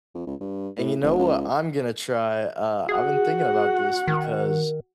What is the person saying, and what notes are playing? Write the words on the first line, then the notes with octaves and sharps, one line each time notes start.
And you know what I'm gonna try? Uh, I've been thinking about this, because,
F2
C#2
G2
A2
F1
C#2
F#4 G#4 F#5
D#3